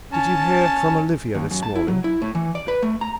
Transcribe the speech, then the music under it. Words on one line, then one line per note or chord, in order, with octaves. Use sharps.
"Did you hear from Olivia this morning?"
C#4 A5
D#2
F#2
A5
E4
F#3
E4
A2
E3
D5
B4
A3
A#5